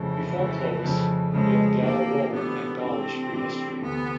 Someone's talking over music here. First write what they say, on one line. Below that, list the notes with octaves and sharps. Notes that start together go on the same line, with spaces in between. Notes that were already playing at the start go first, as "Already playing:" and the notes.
Before Clovis, we have Gallo-Roman and Gaulish prehistory.
Already playing: F2 C#3 E3 F3 A3
F2 C#3 F3 A3
F2 C#3 F3 A3
F2 C#3 F3 G#3 A3
C3 E3 A3 A#3 D4
C3 E3 A3 B3 D4
C3 E3 A3 C4 D4
C3 E3 A3 D4
D2 C3 E3 A3 B3